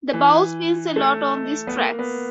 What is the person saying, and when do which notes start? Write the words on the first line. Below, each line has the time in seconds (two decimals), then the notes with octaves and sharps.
The bowl spins a lot on these tracks.
0.13 E3
0.96 A3
1.67 B3
1.79 A#3
1.99 B3